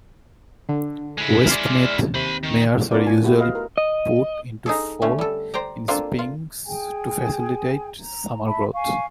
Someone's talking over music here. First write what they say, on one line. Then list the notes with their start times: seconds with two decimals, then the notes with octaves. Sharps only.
Westmeath mares are usually put into foal in spring to facilitate summer growth.
0.69 D3
1.18 G#3 E4
1.47 D5 C6 F6
2.14 D#2 C3 C5 B5
2.43 D#3
2.91 B3 D4 F4 A#4 D5
3.06 F4 G#5
3.23 A3 B3 E4 F#4 G4
3.40 B4 D#5 F5
3.55 A#4
3.78 D#5
4.66 D#4 G#4 A4
5.02 D3 A3 C#4
5.19 G3 A4
5.54 C5 D5 G5 A#5
5.88 A#3 C4 D4 F4 A4
6.19 F4
6.65 G#4 G5 G#5
8.00 A#5
8.45 E5 A5 B5
8.73 F5 G#5 C#6